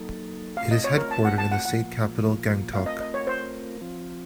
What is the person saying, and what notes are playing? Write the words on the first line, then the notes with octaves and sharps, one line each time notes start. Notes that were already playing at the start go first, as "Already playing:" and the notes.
It is headquartered in the state capital Gangtok.
Already playing: F#3 A#3 D#4 A4
A3 C4 F4 F5
D#5
C#5
A#4
A5
F#5
A5
F#5
A#2 F3 A#3 F4 F#5
A3 C4 F4 A#4 F5
D#5
D#5
C#5
C5
F3 C4 F4